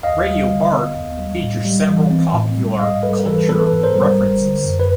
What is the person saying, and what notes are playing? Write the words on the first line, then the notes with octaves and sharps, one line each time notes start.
"Radio Bart" features several popular culture references.
D#2 D#5 F5
G3
D3
B3
D#2
G3
A2
G3
E3
C4
A2
G3
G#2 D#5 F5
G3 A4 B4
A#4
E3 A4 B4
B3 A4 B4
G#2
A#4 C5
G3
G1
D3
F#2
B4